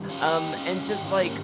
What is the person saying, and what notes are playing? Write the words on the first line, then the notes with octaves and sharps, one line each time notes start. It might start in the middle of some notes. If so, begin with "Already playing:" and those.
Um, and just like,
Already playing: G2 D#3 G3
C#4 F4
D#4 G4
C#4 F4
G#2 D#3 G3 D#4 G4
C#4 F4
A#3 C#4